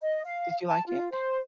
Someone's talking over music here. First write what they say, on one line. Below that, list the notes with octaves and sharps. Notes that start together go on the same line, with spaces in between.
Did you like it?
D#5
F5
A5
F4
C5